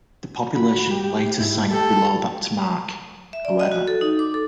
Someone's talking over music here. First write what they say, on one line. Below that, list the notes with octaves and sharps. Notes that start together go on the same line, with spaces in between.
The population later sank below that mark, however.
F#4 B5
G4
G#2 E4
A3 G4 A4
E5
D5
D#5
F#4
A4
D#4
D6
A4